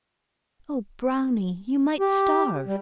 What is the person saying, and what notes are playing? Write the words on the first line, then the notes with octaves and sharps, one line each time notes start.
'Oh, Brownie, you might starve!'
G4
G3